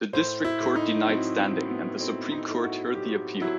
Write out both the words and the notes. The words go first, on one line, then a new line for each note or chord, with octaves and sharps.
The district court denied standing, and the Supreme Court heard the appeal.
A2 C5
E4
A2
D#4
F#3 C4
C4
F#3
B3
A2 C4
D#4
A2
F#4
F#3 G4
F#3 E4